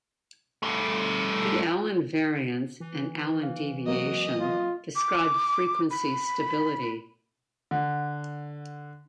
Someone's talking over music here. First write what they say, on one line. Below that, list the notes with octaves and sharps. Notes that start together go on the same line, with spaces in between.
The Allan variance and Allan deviation describe frequency stability.
G3 A3
E3
F5
F#3 A#3 C4 F#4 D#5
F4
D6
B5
D3